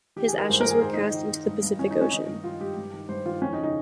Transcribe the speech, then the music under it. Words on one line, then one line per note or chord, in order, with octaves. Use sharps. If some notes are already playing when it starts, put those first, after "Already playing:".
His ashes were cast into the Pacific Ocean.
D#3 G4
D#3 G#4
A#4
G2 C5
D#3 A#4
G#4
G#2 C5
D#4
D#3
D#4
D#3
D#3
G2
G2
D#3 C#4
D#4
D#3
C#4
D#3 D#4
G2
D#3 F4
G2 G4
G2
D#3
G2 C5
D#3 F4
F2 C#4
D#4
C#3
D#4